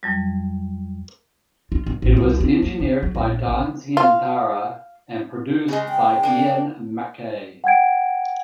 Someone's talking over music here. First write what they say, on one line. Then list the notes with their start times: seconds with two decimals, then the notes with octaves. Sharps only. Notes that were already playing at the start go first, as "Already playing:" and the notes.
It was engineered by Don Zientara and produced by Ian MacKaye.
0.03 F2 F#3 G3
1.72 F4
1.86 E2
2.02 A1
2.17 C2
2.40 C4
2.62 A#3
2.80 D3
3.03 F#3
3.15 A#1
3.48 A#1
3.97 F4 F5
5.68 C#3 G#3
5.89 G5
6.23 A#3 D4
7.64 F#5 G5 G#6 D7